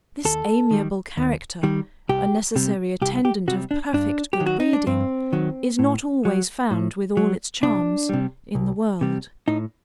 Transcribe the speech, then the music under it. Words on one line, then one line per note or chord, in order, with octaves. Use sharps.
This amiable character, a necessary attendant of perfect good breeding, is not always found with all its charms, in the world.
D#2 A4
D#3 G3
D#2
D#3 G3
C2 G4
C3 G3
C2 G4
G4
C3 G3 F#4
D4
G2 D4
G4
D#3 F#3
F#4
D#4
D4
G2 C4
D#3 F#3
A2
F#3
A2
F#3
C2 D4
C3 G3
C2
C3 G3
A2 D#4